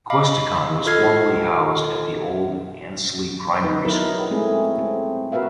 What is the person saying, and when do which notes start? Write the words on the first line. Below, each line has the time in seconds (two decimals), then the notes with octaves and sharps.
Questacon was formerly housed at the old Ainslie Primary School.
0.10 D#5 F5 B5 D6
0.86 F4 A4 D#5 F6 G#6 C7
3.64 D#4 B4
3.85 F#3 B3 D#4 E4 A#4 B4
4.31 G#3 A3 C4 E4 G#4
4.79 C4
5.32 F#4 A#4 B4 E5 F5